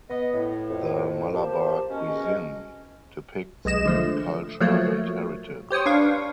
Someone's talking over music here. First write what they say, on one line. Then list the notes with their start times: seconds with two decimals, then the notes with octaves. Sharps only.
The Malabar cuisine depicts it culture and heritage.
0.10 B3 D#5
0.33 A2
0.70 F2
1.34 A#3 G4 C5 A5
1.89 B2 C#4 D#5 C#6
2.09 G#4
3.65 B1 G#3 D#5 E7
3.85 D3 F3 A3
4.60 F3 F#3 A3 A#3 C#5
5.70 G4 C5 C#5 D#6
5.86 D4 B4 F5 C#6